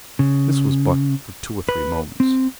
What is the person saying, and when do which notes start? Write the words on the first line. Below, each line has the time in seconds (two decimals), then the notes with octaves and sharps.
This was but for two or three moments.
0.19 C#3
1.69 B4
2.20 C4